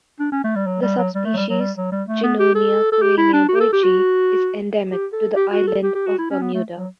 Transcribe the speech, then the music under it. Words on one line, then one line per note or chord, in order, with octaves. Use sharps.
The subspecies "Junonia coenia bergi" is endemic to the island of Bermuda.
D4
C#4
A3
G3
F#3
G3
F#3
G3
A3
F#3
G3
F#3
G3
F#3
G3
A3
B3
G4
A4
A4
G4
E4
D4
F#4
G4
A4
G4
F#4
G4
A4
G4
F#4
A4
G4
G4
F#4
E4
C#4
B3
A3
F#3